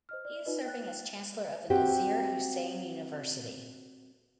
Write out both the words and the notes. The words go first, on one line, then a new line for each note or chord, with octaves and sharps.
He is serving as Chancellor of the Nazeer Hussain University.
C5 D#5 F6
D5
D#4 F4 B4 D#5
G5 F#6 A6
C4 F#4 G4